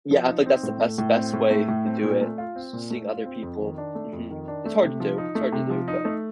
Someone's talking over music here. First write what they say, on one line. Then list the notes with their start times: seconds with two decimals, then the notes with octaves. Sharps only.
Yeah, I think that's the best, best way to do it, s seeing other people. Mhm. It's hard to do, it's hard to do, but
0.11 F3
0.29 D#4
0.46 C4
0.63 A2
0.81 A3
0.98 A2
1.16 C4
1.33 A2
1.50 A3
1.68 A2
1.86 C4
2.03 A#2
2.21 A3
2.38 F4
2.56 C4
2.73 A#2
2.90 A3
3.08 F4
3.25 C4
3.42 F2
3.60 D#3
3.78 D4
3.95 A3
4.13 F2
4.30 D#3
4.48 D4
4.66 A3
4.83 C3
5.00 F3
5.18 D#4
5.35 A3
5.52 C3
5.70 F3
5.88 D#4
6.05 A3